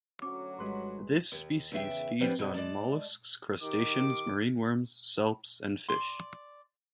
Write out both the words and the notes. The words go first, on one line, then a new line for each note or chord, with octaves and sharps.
This species feeds on molluscs, crustaceans, marine worms, salps, and fish.
D2 F#3 C#4 D6
G#1 G3 G#3 B4 C6
D#2
E2 C#3 E5 G5
F3 G3 B3 C4 D4 E4
F2 G#2 B2
G#3 D5 A5
D#3 G4 D6
D5 C6